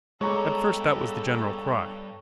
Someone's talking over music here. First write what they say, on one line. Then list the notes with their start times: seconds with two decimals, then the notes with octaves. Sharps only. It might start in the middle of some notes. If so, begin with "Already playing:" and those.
At first that was the general cry.
0.21 G2 G#3 B3 A4 C#5 A#5 D6